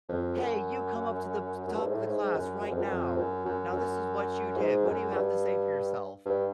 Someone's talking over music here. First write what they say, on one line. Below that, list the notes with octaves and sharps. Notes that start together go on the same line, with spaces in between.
"Hey, you come up to the top of the class right now. Now, this is what you did. What do you have to say for yourself?"
F2
F#2
F#2
G2
G#2
A2
G#2
G#2
F#2
F#2
F2
F#2
F2
F#2
F#2
F#2
G#2
F#2
G2
G2